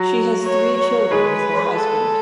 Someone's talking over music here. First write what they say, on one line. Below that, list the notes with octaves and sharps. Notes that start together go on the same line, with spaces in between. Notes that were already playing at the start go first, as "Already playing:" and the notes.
She has three children with her husband.
Already playing: F#3 F#4
C#5
C#5
G#3 G#4 B4
A4